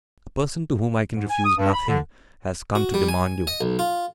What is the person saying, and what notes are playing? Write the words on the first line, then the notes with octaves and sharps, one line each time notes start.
"A person to whom I can refuse nothing has come to demand you."
G#2
G#5
D#6
G2
B5
D3
F#4
G3
G#5
D#5
B1
F4